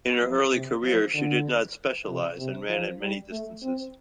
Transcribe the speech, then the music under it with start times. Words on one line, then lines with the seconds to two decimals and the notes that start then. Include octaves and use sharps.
In her early career, she did not specialise, and ran at many distances.
0.21 F3
0.52 C3
0.83 F3
1.14 D3
2.08 C3
2.38 C3
2.69 F3
3.00 G3
3.31 A3
3.62 C4